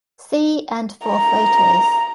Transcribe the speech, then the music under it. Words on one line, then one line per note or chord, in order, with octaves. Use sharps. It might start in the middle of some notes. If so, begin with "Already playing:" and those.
See and for photos.
A#5